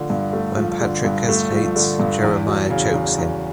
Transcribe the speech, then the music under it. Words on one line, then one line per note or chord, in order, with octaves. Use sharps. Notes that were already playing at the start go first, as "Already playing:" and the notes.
When Patrick hesitates, Jeremiah chokes him.
Already playing: D3 F3 A3
G2
A3
F3
D3
G2
A3
F3
D3
G2
E2
F#3
C#3
E2
E2